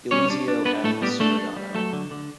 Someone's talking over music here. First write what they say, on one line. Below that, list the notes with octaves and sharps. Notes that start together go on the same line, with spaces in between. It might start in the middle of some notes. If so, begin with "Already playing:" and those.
Eliseo F. Soriano.
G3 C#4 C#5
D4
D4
B3 D4 B4
A2 A3 A4
G3 B3 G4
A3 D4 A4
D4
G3
F#3 A3 A4
D3
D3